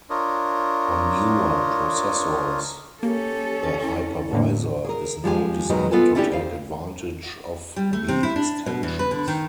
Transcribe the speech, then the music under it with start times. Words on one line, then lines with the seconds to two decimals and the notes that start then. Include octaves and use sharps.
On newer processors, the hypervisor is now designed to take advantage of the extensions.
0.10 D4 F4 A#4 C#5 D#5
3.03 A#3 C#4 G4 A4
3.81 E4
4.33 A2 D3 A#3
4.85 G#4 A#4
5.24 F3 G#3 G4 G#5
5.69 B2 D#3 F#3 G#3
5.91 B3 F4 A4 B4 G#5
6.15 A3 C#4 D4 E4 G4
6.31 D2 C5 F5
7.76 G3
7.93 A3
8.08 C3
8.23 E4
8.36 D4
8.66 B2
8.83 E2
8.99 B4
9.11 D3
9.28 D#3